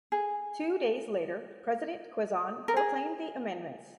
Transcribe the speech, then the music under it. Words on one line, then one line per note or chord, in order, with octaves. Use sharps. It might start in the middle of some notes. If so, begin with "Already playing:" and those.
Two days later President Quezon proclaimed the amendments.
G#4
A#4
G#4